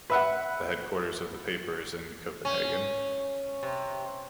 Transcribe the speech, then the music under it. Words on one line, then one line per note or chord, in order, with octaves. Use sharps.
The headquarters of the paper is in Copenhagen.
B4 E5 F#5
C#4
C3